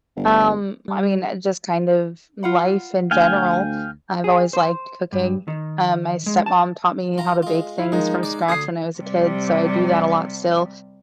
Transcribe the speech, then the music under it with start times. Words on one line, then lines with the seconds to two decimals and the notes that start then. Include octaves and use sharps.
Um, I mean, uh, just kind of life in general, I've always liked cooking, uh, my stepmom taught me how to bake things from scratch when I was a kid, so I do that a lot still.
0.16 G1
0.88 G3
2.43 F4 F#5 B5
3.11 D2 F5 G5 G#5
4.24 G#4
4.53 C5
5.13 G2
5.48 D#3
6.26 G#3
6.46 A5
7.18 F4 A#5
7.42 G#3 F4
7.79 E4 F5
7.92 D#3 F3 G#3 D#4
8.23 D5
8.48 D2 D4 D#6 G#6 C7
8.99 C3 G3